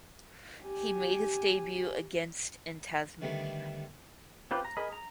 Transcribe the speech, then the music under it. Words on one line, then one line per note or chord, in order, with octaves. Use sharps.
He made his debut against in Tasmania.
G4 G#5
D3 D#3 G3 A3 B3 D4
C4 F4 G4 B4
A#5
G#4 A#4 D#5 B5
A#5